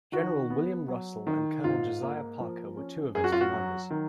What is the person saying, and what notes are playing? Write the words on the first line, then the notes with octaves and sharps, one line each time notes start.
General William Russell and Colonel Josiah Parker were two of its commanders.
D#3 F#4
B3
F#3
D#3
G#2 F4
A#3
F3
C#4
F#2 G#4
F#4
F4
F#4
F#3
D#3